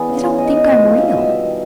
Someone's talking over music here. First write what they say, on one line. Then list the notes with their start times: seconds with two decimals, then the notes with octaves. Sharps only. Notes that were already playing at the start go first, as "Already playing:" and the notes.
They don't think I'm real.
Already playing: E3 B3 G#4 D5
0.09 C#3
0.24 C#3
0.38 D#4 D#5
0.54 D#4 D#5
0.68 C3 D5
0.84 F3 F5
0.98 B2 E5
1.08 D#5
1.13 B2 E5
1.29 G3
1.43 D#3